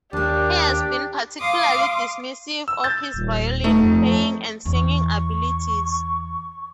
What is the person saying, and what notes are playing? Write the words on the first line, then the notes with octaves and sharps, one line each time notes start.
He has been particularly dismissive of his violin-playing and singing abilities.
D#2 A#3 D4 G4 D5
F5 C6 D6 D#6
E6
G6 A6
D#1
A3 D#4
F2
E2 C#6